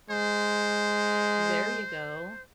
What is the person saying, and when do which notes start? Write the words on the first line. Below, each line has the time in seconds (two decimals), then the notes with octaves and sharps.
There you go.
0.10 G#3 C5